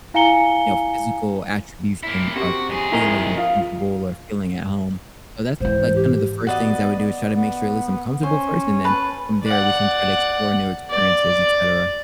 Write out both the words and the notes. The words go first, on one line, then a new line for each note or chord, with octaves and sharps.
you know, physical attribution of of feeling comfortable or feeling at home, so that's, like, kinda the first things I would do, is try to make sure at least I'm comfortable first, and then from there we can try to explore new experiences, et cetera.
E4 F5 G#5 A#5 C#7 G7
A#3 E4
C3 F#4
F2 G#4
E4 A#4 D#5
F4
G#2 E3 C5
G4
B3 F#4 D5 D#5
B3
C#4 C5
B4 A5
D5 F#5
D5